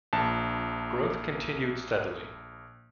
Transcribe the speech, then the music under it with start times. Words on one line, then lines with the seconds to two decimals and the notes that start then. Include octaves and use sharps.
Growth continued steadily.
0.13 A#1 A5